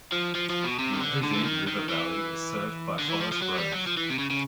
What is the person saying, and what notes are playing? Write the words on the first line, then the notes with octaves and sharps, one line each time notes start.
The Ovide river valley is served by forest roads.
F3
F3
F3
B2
C3
D#3
D3
D3
E3
D#3
D#3
E3
D3
E3
F3
F3
F#3
G3
F#3
F3
E3
C3
C#3
C#3